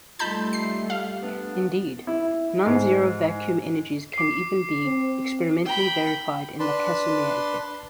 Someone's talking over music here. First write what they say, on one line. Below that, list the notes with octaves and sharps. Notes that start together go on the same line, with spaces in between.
Indeed, nonzero vacuum energies can even be experimentally verified in the Casimir effect.
G3 A3 D#4 F4 A5 B5 G6
C7
F5
B3 D4
E4
G#2
D6 C7
C4
G5 B5
D4 B4 A5 C6